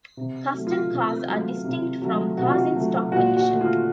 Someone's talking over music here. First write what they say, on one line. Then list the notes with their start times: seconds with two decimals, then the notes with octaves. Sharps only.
Custom cars are distinct from cars in stock condition.
0.17 C3
0.54 F#3 A3
0.67 F4
0.91 C3
1.28 F#3 A3
1.64 C3
2.02 F#3 A3
2.38 C3 F#4
2.46 F4
2.55 F#4
2.75 F#3 A3
3.12 A#2 F#4
3.37 F#4
3.49 A3
3.61 F4